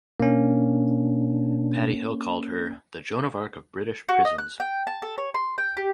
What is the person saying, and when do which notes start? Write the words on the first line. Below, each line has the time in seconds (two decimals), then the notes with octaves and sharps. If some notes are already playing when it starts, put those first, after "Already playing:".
Paddy Hill called her "the Joan of Arc of British prisons".
0.20 B2 A#3 C#4 D4
4.09 F#4
4.25 D#5
4.38 F#6
4.60 G5
4.87 A5
5.02 A4
5.18 C#5
5.34 C6
5.58 G5
5.77 G4